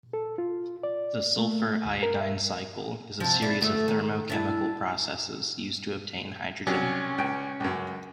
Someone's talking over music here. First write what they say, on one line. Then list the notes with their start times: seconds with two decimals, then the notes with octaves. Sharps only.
The sulfur-iodine cycle is a series of thermo-chemical processes used to obtain hydrogen.
0.13 A4
0.38 F4
0.83 D5
1.38 A3
1.85 D2
2.03 A#4
2.20 E5
3.20 C3 F3
3.42 D4 E4
3.61 D2 A3 E5
3.88 D#3
4.30 D4 E4
6.67 C2 F#3 C#4
7.18 C#2 G5
7.60 C#2 F#2